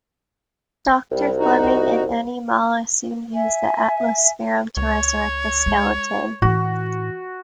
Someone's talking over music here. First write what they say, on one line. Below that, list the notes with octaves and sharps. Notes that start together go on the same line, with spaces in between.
Doctor Fleming and Animala soon use the atmosphereum to resurrect the Skeleton.
C2 G3
D#4 F#4
E5 G#5
C#2 C#5
G#3
A2 E3 E4 F#4